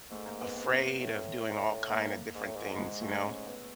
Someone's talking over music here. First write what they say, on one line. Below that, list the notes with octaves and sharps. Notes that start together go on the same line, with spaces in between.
afraid of doing all kinda different things, you know?
G#2 A3
A#3
B3
B3
C4
C#4
B3
A2
A#3
G#2
A2
G#2
G#3
A3
C#4
B3